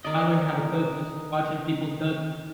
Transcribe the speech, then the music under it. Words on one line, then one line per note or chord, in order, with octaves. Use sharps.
I learned how to cook- just watching people cook
D#3 A#4 D5 D#5